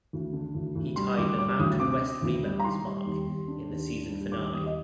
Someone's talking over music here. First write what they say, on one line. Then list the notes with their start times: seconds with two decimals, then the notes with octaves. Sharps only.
He tied the Mountain West rebounds mark in the season finale.
0.13 D2
0.33 D3
0.55 D2
0.75 D2
0.96 G3 C6
1.17 D2 D6
1.38 G3 D6
1.59 D2 D#6
1.80 C4 D6
2.02 C4
2.22 D2
2.43 G3
2.60 A#5
2.64 D#3 C6
2.86 G3
3.06 D#2
3.27 D#2
3.48 D4
3.69 D#2
3.89 D4
4.10 G3
4.31 D#2 D6
4.53 D#2 D#6
4.66 D#5